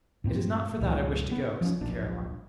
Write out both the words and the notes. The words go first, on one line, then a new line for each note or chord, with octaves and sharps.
"It is not for that I wish to go," said Caroline.
G2 A#2 C4
C#2 G2 A#2 D#3
B3
F3 C4 C#4
D1 A#1 D4